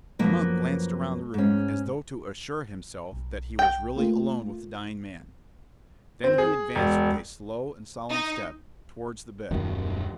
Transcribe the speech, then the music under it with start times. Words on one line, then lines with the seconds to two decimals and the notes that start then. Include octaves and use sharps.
The monk glanced round the room as though to assure himself that he was really alone with the dying man; then he advanced with a slow and solemn step towards the bed.
0.19 F#2 F3 F#3 A#3 B4
1.34 G#2 C#4
3.13 B1
3.59 G5
3.96 A3 A#3 F4
6.24 C4
6.38 G#4
6.75 E1
8.10 D#4
9.51 D#1 F#2 D#3